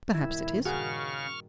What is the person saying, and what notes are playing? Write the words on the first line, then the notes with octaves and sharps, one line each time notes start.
'Perhaps it is.
G2 A#2 D#3 E4
C#3 F#4 G#4 F#5 C#6 F6